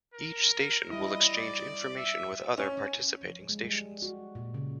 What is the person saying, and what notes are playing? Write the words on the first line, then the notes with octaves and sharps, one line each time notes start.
Each station will exchange information with other participating stations.
A#4
G3 E4 D#5
D5
E5
C#4
F3
G#3
G3
F#4
A#2
C#3